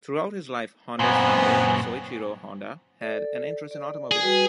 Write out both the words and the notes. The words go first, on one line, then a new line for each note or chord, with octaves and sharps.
Throughout his life, Honda's founder, Soichiro Honda, had an interest in automobiles.
F#2 A#2 B3 C4 G#5
A4 D5
D5
G#4
G3 F#4 B4